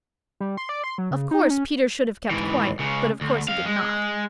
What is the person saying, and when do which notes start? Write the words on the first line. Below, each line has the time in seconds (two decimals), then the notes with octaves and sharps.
Of course Peter should have kept quiet, but of course he did not.
0.40 G3
0.57 C6
0.69 D5
0.84 C6
0.98 F#3
1.11 C#3
1.31 D#4
1.50 C#4
2.31 G#2 E3
2.79 C#2 C#3
3.21 D2
3.48 F2 F5
3.65 G#3